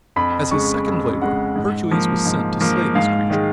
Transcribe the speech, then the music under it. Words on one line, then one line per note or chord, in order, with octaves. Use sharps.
As his second labor, Hercules was sent to slay this creature.
F2 B5
C#3 G#3 C#6
F2
C#3 G#3 F#5
G#2
F3 A#3
G#2
F3 A#3
G#2 F5
D#3 G#3